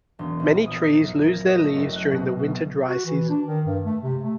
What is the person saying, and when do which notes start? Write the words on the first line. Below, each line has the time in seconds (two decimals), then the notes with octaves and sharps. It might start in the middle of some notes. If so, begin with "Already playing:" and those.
Many trees lose their leaves during the winter dry season.
0.19 E1
0.40 A#1
0.66 D#6
1.00 F#2
1.23 A#4
1.48 D#5
1.64 A3
1.76 F#1
1.96 F#6
2.11 B2
2.39 B2
2.88 F#4
3.06 E3
3.29 D4
3.47 D#3
3.65 G2
3.85 A3
4.03 C3
4.23 A3